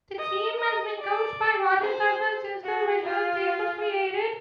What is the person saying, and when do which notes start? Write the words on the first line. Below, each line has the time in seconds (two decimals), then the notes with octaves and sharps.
The team has been coached by Roger Stephens since the Richland team was created.
0.18 D#5
0.58 D#5
0.99 D5
1.82 C5
2.63 F#4
3.04 F4